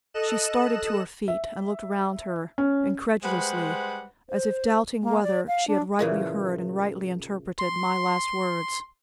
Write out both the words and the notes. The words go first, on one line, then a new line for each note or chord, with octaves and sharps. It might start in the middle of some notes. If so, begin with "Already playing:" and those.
She started to her feet, and looked round her incredulously, as if doubting whether she had rightly heard and rightly interpreted my last words.
A4 D#5 F#6 E7
E5
C#4
G3 G#3 B4 C5 F#5
C5
A#3
D5
F5
D4
A#2 C#3 E3
C6